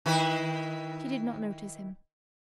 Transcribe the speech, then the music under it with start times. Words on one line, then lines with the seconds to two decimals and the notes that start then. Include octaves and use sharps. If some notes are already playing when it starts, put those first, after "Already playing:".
She did not notice him.
0.06 D#3 E4 B4